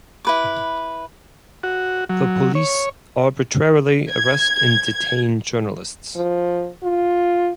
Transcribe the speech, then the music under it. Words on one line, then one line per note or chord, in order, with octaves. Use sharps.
The police arbitrarily arrest and detain journalists.
E4 B4 D6
F#4
F#3
C#5
G#6
F3
F4